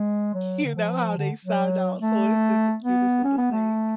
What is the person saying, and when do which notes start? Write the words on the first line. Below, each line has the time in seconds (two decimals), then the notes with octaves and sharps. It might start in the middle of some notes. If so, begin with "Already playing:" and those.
You know how they sound out so it's just the cutest little thing.
Already playing: G#3
0.34 F#3
0.65 D3
0.76 F3
1.17 D3
1.45 F#3
2.00 A3
2.82 B3
3.24 C#4
3.38 B3
3.51 A3